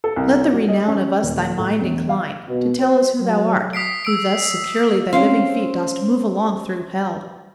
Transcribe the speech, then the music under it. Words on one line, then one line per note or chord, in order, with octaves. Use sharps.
Let the renown of us thy mind incline To tell us who thou art, who thus securely Thy living feet dost move along through Hell.
A4
C2
F#3
D#5
C#4
D#1
A2
E1
F5
B2
C5
F#3
D#6 B6 C7 D7
E6 D7
C4 C#4 C5 F5